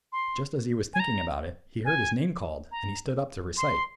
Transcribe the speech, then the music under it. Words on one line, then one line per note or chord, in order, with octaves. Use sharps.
Just as he was thinking about it, he heard his name called, and he stood up to recite.
C6
G#5
A#5
G#5
A#5
C6